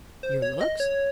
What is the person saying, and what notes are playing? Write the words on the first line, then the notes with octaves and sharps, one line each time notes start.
"Your looks?"
C5
C#5
D#5
C#5